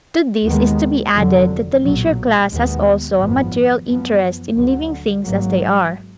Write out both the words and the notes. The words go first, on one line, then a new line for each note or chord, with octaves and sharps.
To this is to be added that the leisure class has also a material interest in leaving things as they are.
D#2 D#3 G#3 B3
F1 F2 D3 F#3
B1 A#2 F#3
D#2 D#3 G#3 B3
G#1 F#2 F3 B3
F#2 F3 B3
D2 D3 F#3
G#1 G#2 F#3 A#3